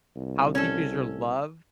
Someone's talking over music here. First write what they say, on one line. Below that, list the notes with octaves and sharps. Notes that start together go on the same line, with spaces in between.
"How Deep Is Your Love?"
C2
C#4 A4